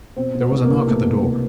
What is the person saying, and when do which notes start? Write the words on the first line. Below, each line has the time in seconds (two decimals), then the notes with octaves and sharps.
There was a knock at the door.
0.16 B2 C4
0.34 B2
0.41 B3
0.52 C2
0.64 C2 A#3
0.87 B2 A3
1.05 B2
1.23 C2